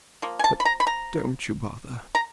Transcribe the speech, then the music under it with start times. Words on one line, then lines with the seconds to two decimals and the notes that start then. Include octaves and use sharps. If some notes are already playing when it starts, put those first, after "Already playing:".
But don't you bother.
0.22 F3 A#3
0.39 G#5
0.44 A5
0.60 B5
0.65 A#5
0.80 B5
0.87 A#5
2.15 A#5